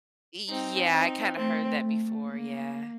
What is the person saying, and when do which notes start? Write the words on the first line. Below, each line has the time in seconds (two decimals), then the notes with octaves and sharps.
Y yeah, I kinda heard that before, yeah.
0.49 C4 D#4
0.92 C4 D#4
1.37 A3 C4
1.81 A3
2.24 A#3